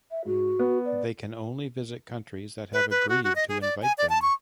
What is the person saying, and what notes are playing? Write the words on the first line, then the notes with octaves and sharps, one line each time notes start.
They can only visit countries that have agreed to invite them.
E5
G#2 F#4
B3
D5
B4
B4
F#4
F#4
D#5
G#4
D5
G#5
D5
A5
C#6